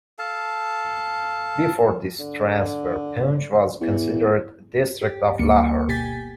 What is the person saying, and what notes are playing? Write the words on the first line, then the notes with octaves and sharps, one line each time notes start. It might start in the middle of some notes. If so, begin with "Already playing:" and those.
Before this transfer, Poonch was considered a district of Lahore.
A4 F5 A5
D3
E2
G4
D2 G3 A#3 C#7
G1 B2 G4 G#5 A6 B6